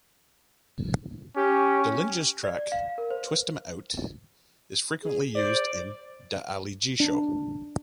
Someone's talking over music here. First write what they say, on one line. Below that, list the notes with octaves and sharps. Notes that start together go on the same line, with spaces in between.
Dillinja's track "Twist Em' Out" is frequently used in "Da Ali G Show".
C#4 G4
D5
F5
A#4
C5
B4
G#4
C5 D5
D4